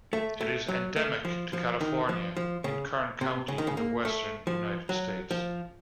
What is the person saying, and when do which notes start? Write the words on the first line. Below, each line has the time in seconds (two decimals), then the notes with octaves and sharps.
It is endemic to California, in Kern County in the western United States.
0.13 A3
0.41 A3
0.68 F#3
0.96 A3
1.25 F3
1.53 F3
1.81 D#3
2.09 F3
2.37 F3
2.64 C#3
3.21 C3
3.48 C#3
3.58 D#3
3.67 C#3
3.77 A#3
4.05 A3
4.47 F3
4.89 F#3
5.31 F3